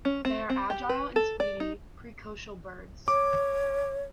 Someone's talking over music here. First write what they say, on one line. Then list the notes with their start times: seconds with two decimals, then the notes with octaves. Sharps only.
They are agile and speedy precocial birds.
0.05 C#4
0.25 C4
0.50 C4
0.70 G4
0.89 B4
1.16 A4
1.40 D5
1.60 D#4
3.08 C#5 D6